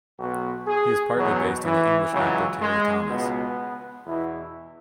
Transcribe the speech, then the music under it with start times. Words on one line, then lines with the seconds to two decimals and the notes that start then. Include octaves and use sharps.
He is partly based on the English actor Terry-Thomas.
0.19 B1 B2 F#4
0.68 G#4
1.16 E2 B2 F#3
1.64 E3
2.13 C#2 C#3 E3 F#3
2.61 G#3
3.10 C#2 B2 B3
4.07 E2 B2 E4